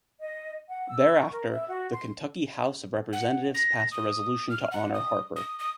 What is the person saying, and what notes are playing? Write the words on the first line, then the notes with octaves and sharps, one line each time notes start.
Thereafter, the Kentucky House of Representatives passed a resolution to honor Harper.
D#5
F#5
E6
C#6
A#4
E5
F#4
C6
F#5
A#6
D#6
F6
F#5
D#6
D#6
D#6